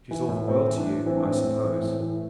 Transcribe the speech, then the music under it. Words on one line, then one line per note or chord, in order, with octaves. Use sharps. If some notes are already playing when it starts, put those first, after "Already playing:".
"She's all the world to you, I suppose?"
E3
A2
A2 C4
E3
D4
A2
E3 C4
D4
A2 C4
A2
E3
A2
E3